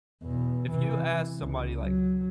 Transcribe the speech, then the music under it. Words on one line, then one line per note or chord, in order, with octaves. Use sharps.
If you ask somebody, like
E2 B2
C3 E3
C#2
F#3